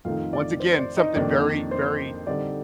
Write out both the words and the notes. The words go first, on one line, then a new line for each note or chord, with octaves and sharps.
once again, something very, very
F2 D#3 A3 D#4 F4 F5
D5
C5
C5
D5
D#4 D#5
F2 D#3 A#3 D4 D5
C5
D3 G3 C4 D#4 D5